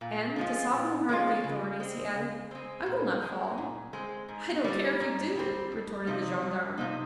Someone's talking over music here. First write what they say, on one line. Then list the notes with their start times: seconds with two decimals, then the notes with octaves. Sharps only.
And, to soften the heart of the authorities he added: "I will not fall." "I don't care if you do," retorted the gendarme.
0.01 A#2
0.36 F3 G#3 C#4 F4
0.72 A#2
1.09 F3 G#3 C#4 F4
1.44 C#3
1.80 G#3 C4
2.15 C#3
2.51 G#3 C4
2.86 A#2
3.22 G#3 C4
3.58 A#2
3.93 G#3 C4
4.29 G#2
4.64 G3 C4
5.00 G#2
5.36 G3 C4
5.72 F2
6.07 C3 F3 C4 D#4
6.42 F2
6.78 C3 F3 C4 D#4